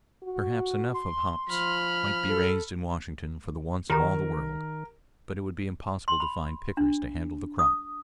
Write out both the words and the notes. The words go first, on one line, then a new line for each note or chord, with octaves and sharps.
Perhaps enough of hops might be raised in Washington for the wants of all the world, but it would be impossible to find pickers to handle the crop.
F#4
C6
F3 B5 F6
A4
D#3 G4 A#4 A#5
C6
B5
D4
D#6